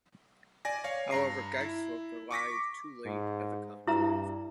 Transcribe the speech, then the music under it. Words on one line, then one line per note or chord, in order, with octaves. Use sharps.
However Gaisruck arrived too late at the conclave.
D5 G#5 A#6
C#5 F5
G2 A#5 C7
E4
C#6 D6 A#6 B6
G#2
G2 E4 E5 A#5